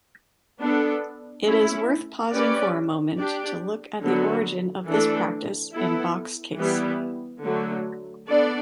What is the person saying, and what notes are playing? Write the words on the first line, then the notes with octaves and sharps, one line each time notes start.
It is worth pausing for a moment to look at the origin of this practice in Bach's case.
B3 D4 A4
A3 C#4 E4
C#4 G4 B4 D5
D4 G4 D5
D3 F#3 B3 F#4
E3 A3 D4 A4
B3 E4 A4
E3 G3 B3 E4 G4
D3 F#3 A3
B3 D4 A4 D5